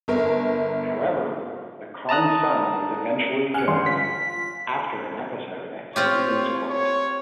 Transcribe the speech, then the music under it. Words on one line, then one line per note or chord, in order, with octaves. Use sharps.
However, the Khan's son was eventually killed, after an episode at Stephens's court.
G1 A#4
A5 A#5 D#6 F#6
F#5 G#5 F6 C#7
G1 C#4 C6
F4 B6
C4 F4 G4 C#5
C#5